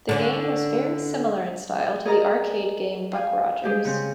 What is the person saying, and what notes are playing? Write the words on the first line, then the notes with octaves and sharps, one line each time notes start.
The game was very similar in style to the arcade game "Buck Rogers".
D3 C#4 D4
G#4 A#4 D5 D#5 A#5
F5 G#5
G3 G#3 G4 G#4
C#3 C4